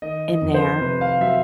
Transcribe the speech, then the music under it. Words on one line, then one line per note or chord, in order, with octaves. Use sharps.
In there.
D#3 D#5
D#5
F2
C5
C3 B4
F5
F#3 E5